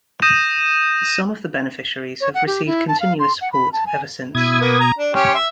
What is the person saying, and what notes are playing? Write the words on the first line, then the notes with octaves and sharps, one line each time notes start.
Some of the beneficiaries have received continuous support ever since.
D#6 G6 A#6 D#7 E7
C#5
F#5
G4
E4
A5
F5
C6
F#5
B5
A5
G#5
B2 E4 D#6 G#6
A#3 B3
A#5
D4
C#4 G4 C#5 C6
E5